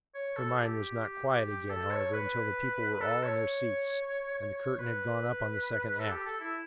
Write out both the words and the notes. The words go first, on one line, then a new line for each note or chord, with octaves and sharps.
Her mind was not quiet again, however, until the people were all in their seats and the curtain had gone up on the second act.
C#5
A4
G4
A4
C#5
B4
A4
C#5
C#5
C#5
B4
A4
G4
A4
E4